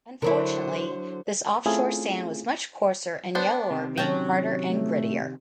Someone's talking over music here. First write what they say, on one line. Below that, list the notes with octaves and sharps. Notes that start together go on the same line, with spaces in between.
Unfortunately this off shore sand was much coarser and yellower being harder and grittier.
D3 F#3 E4 A#4 C5
A3 C4 C#4 E4 F4 G#4
B3 D4 C5
C3 D#3
F#3 C#4 G5 A5
A3